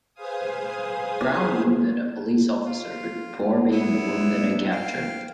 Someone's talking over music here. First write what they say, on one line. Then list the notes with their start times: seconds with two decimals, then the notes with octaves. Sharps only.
Brown wounded a police officer before being wounded and captured.
0.14 G#4 B4 C5 F5 G#5 D#6
2.66 F4
3.71 F#3 B3 E4
4.71 F5 G5